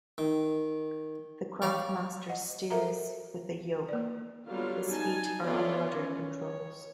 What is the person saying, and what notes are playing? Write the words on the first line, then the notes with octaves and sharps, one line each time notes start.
The craftmaster steers with a yoke, his feet are on rudder controls.
D#3
C#5 D5 F5
D#5 F#5
A4 A#4 E5 A#5
A#3 D5
D3 F#3 G3 B3 F4 F5
D#4 G#5 A5
B3 E4 F4 A4 C#5 D5
C#4
C#5